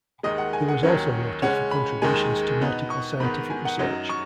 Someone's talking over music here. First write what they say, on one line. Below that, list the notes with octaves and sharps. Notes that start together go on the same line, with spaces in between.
He was also noted for contributions to nautical scientific research.
D#2 D#3 G#3 D#5
F#5
G#5
F#5
D#2 D#3 F#3 C#4
C#3 G#3 C#4 F#5
B5
D#2 D#3 G#3 G#5
B2 B3 D#4
C#6
G#2 D#3 B3 B5
G#5
F#5
F#2 F#3 D#4
C#6